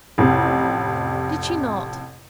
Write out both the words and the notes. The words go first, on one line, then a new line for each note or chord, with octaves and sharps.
Did she not?
A1 F2 C3